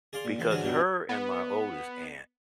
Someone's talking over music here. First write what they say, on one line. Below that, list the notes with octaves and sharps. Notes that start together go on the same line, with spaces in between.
because her and my oldest aunt
G#4 D5 F5 C6
A#2
A1 F3 A4 C6
D3 E3 F#3 G#4 C5
G2 B2 F#3 D4 F4
B3